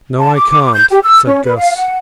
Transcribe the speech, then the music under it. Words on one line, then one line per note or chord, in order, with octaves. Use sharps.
"No I can't," said Guss.
A5
D6
G6
G4
E6
C#4
B4
F5
F#5